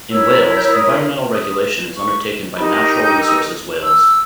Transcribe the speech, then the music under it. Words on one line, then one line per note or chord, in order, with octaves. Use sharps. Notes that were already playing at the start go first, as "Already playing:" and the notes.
In Wales environmental regulation is undertaken by Natural Resources Wales.
E4 A#4 C#5 E6
G6
E6
D#6
D#6
C#6
D#4 G4 A#4 B5
A#5
G6
G6
E6
E6